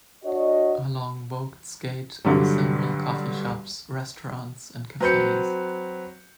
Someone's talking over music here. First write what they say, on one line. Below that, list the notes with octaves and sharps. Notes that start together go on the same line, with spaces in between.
Along Vogts gate are several coffee shops, restaurants and cafes.
D4 F#4 C#5 D#5
G2 D3 F#3 G3
F#3 C4 B4 G6 C#7